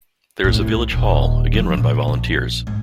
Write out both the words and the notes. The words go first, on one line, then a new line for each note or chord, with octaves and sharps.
There is a Village Hall, again run by volunteers.
C2 A2
D#1
F3 G3
A#2
A#1
G#2